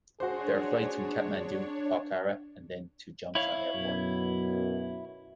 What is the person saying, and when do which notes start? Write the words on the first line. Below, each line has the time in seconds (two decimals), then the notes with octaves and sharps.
There are flights from Kathmandu to Pokhara and then to Jomsom Airport.
0.20 D4 F#4 G#4 C5 C#5
3.35 E4 C#5 F5
3.75 F#2 B2